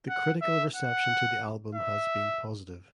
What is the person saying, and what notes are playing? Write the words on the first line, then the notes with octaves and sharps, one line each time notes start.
The critical reception to the album has been positive.
F#5
E5
F#5
E5